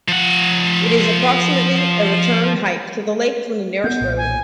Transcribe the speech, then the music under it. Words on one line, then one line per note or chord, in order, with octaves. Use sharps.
It is approximately a return hike to the lake from the nearest road.
F3 F#5
B3 G6
B1 A#2
G#5